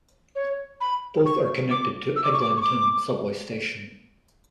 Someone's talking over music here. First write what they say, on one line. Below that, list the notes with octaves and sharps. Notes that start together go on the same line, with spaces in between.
Both are connected to Eglinton subway station.
C#5
B5
C#6
D6
E6
D6
C#6
D6
C#6
D6